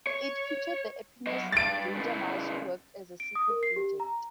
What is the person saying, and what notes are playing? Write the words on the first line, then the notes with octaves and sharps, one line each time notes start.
It featured the eponymous Danger Mouse who worked as a secret agent.
C#5
F#3 D#5
G2 A6 D7
C#3 E3
D7
D#6
A#4
C7
G4
A#5